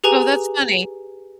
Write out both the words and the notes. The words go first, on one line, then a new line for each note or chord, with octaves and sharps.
Oh, that's funny.
G4 G#4 B4 G#5 A#5 F7